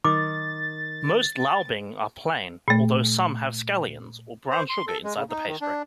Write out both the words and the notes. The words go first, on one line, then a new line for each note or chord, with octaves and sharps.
Most laobing are plain, although some have scallions or brown sugar inside the pastry.
D#3 D6 A6
A#2 A3
C5
C6
A4
G#3
C#3
D#4
D#3
D4